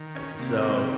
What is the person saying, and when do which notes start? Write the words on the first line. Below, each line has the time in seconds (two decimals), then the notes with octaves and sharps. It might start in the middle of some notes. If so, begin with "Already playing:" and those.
I so
Already playing: D#3
0.15 C#4
0.39 C3 A#3
0.63 A#3